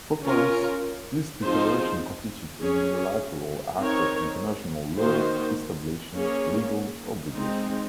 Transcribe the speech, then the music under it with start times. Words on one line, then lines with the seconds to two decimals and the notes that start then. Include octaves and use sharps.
For France, this declaration constitutes a unilateral act of international law establishing legal obligations.
0.24 C#4 F4 A#4
1.42 F3 C4 D#4 G#4 C5
2.61 C#4 G#4 C#5
3.79 C4 D#4 A#4 C#5
4.97 D#3 A#3 D#4 F#4 C5
6.15 A#3 C#4 G#4 C#5
7.34 G#3 C4 D#4